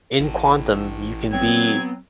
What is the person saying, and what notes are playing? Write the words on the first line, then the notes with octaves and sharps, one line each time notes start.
In quantum, you can be
A1 E4 A4
F#3 B3 C4 G#6